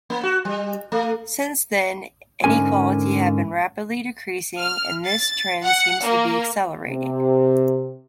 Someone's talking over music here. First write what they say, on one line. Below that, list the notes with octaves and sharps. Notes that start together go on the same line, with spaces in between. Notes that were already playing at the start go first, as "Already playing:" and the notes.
Since then inequality have been rapidly decreasing, and this trend seems to be accelerating.
A#3
F#4
G3
A3
G#2 D3 C#4 A#4 G#5
F6
A6
F#5
A#3
C3